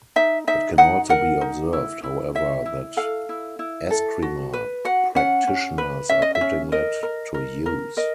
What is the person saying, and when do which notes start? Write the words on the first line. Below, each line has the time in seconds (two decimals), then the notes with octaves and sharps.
It can also be observed however that "Escrima" practitioners are putting it to use.
0.16 D#4 E5
0.47 D#4 E5
0.78 D#4 F#5
1.09 A#4 F#5
1.41 D#4
1.73 E4
2.04 E4
2.35 E4 E5
2.66 E4
2.97 A4 F5
3.29 E4
3.59 E4
3.91 A4
4.22 F#4
4.53 B4
4.85 F#4 F#5
5.15 C#4 F#5
5.47 C#4
5.78 B4
6.09 C#4 E5
6.22 D#5
6.35 E5
6.41 C#4
6.72 A#4 D#5
7.03 A#4
7.34 A#4
7.66 A#4
7.97 A#4 D#5